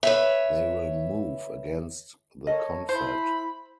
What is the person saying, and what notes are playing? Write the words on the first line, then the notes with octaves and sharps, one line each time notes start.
They will move against the Confed.
B4 C#5 E5
A4 A#4 C#5 D#5
E4 C5 B5